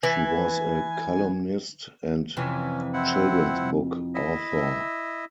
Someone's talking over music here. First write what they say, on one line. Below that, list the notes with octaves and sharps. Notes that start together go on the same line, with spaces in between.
She was a columnist and children's book author.
E3 G#5
F2 C3 E3 C#4
C4 E4 F#5
E4 D#5 E5